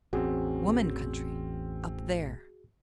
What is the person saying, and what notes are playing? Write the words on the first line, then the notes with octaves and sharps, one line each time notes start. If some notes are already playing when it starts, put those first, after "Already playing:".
"Woman Country--up there."
A1 E2 C4 C#4 F#4 G#4